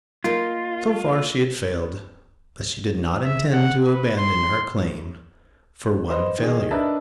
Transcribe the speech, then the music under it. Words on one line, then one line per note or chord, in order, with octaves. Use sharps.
So far she had failed, but she did not intend to abandon her claim for one failure.
A#3 D#4 F4 A#4
E5
F#5
B4
C6
B4 C5 D#5
D#3 D#4 G#4
D4 A#4 B4 D#5 E5 A5